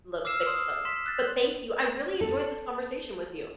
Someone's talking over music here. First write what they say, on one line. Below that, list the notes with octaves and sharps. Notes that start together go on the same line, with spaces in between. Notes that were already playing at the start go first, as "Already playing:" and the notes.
l fix those. But thank you, I really enjoyed this conversation with you.
D6 E6 F6 C7 E7
C6 D#6 F6
C6 B6 E7
F#6 A6
A4